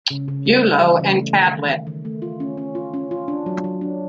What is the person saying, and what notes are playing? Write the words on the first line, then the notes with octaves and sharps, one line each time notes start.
Bulo and Cadlit.
C#3
C#3
G3
G3
E3
C#3
A3
D#3
D#3
D#3
D#3
A3
F4
C#4
C#4
F4
C#4
F4
D4
F#3
F#3
D4